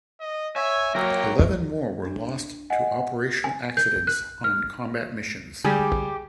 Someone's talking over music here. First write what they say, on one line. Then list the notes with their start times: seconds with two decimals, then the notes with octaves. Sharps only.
Eleven more were lost to operational accidents on combat missions.
0.20 D#5
0.56 C#5 E5 G#5
0.95 F#3 A#3 A#4 C#5 G5
2.06 D4
2.70 D#5 F#5 G#5
3.44 G#5
3.77 G6
4.07 F#6
4.44 F6
5.64 D3 G3 G4 G#4